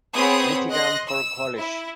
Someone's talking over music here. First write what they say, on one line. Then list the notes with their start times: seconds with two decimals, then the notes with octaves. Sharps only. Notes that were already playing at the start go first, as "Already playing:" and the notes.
Michigan for college.
0.15 B3 C4 G#4 C#5 B5 D#6
0.70 D#5 C6 F#6 A#6
1.07 E6
1.57 E4